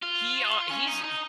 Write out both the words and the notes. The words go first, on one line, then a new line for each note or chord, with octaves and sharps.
He, uh he's
F4
C#4
D#4
D#4